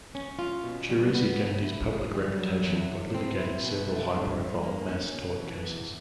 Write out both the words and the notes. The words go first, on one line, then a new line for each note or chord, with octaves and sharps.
Ciresi gained his public reputation by litigating several high-profile mass tort cases.
C#4
F4
B2
G3
B3
C#3
E4
G#4
G3
F#3
E2
E2
C4
E4
B2
A3
G2
G2
A#3
C#4
B2
E3
E2